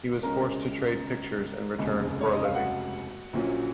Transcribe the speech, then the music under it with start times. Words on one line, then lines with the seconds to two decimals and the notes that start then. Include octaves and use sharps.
He was forced to trade pictures in return for a living.
0.23 C#2 C#3 G#3 C#4 A#4 A#5
1.78 F1 D#2 C#3 G#3
2.21 C#5
2.33 D#5
2.44 F5
2.55 F#4 F#5
3.33 A#1 A#2 F#3 C#4